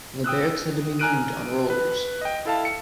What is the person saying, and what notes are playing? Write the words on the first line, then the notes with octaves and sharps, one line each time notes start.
The barracks had to be moved on rollers.
G5 D#6 E6 F#6
G#5 A#5 F6 F#6 D7 D#7
B4
D#5 G5
E4 A4 F5 A5
C#7